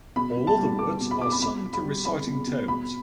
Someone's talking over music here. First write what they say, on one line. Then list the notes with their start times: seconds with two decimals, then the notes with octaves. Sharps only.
All other words are sung to reciting tones.
0.16 B2 B5
0.37 B2
0.47 A5
0.58 G3
0.79 G3 D6
1.01 B2
1.11 B5
1.21 B2 D6
1.32 B5
1.42 B2 B5
1.63 B2
1.73 B5
1.84 G3
2.05 G3 B5
2.26 B2
2.47 B2
2.68 B2 B5